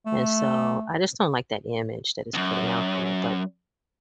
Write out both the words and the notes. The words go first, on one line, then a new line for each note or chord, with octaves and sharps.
and so, I just don't like that image that it's putting out there, but
A3
C#2 F#2